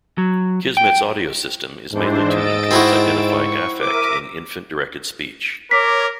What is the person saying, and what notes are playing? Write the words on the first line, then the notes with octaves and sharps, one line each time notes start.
Kismet's audio system is mainly tuned towards identifying affect in infant-directed speech.
F#3
G5
G#2 E3 D4 C5
D#5 E6 A6 D7
C4 E4 F#4
C#6
A#4 E5 D6 D#7
A#4 C#5 D6 B6